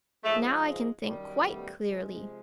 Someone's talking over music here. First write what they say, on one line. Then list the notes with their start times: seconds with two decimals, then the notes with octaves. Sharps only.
"Now I can think quite clearly."
0.24 G#2 F3 G#3 A3
1.05 F#2 D#3 G3
1.45 A3 B3
1.86 C3 F3 G#3